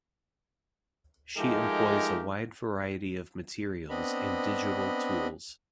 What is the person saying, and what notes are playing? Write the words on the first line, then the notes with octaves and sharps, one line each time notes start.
She employs a wide variety of materials and digital tools.
F3 G#3 A3 D#4 G4 A#4
B3 C4 D4 D#5 B5